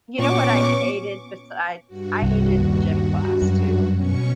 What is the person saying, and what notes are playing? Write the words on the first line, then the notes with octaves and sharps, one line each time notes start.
You know what I hated besides I hated gym class too.
A#2 B3 C#4 C#6 D6
G2 F#4
C2
D#2
F#2
B2 C#4 C#6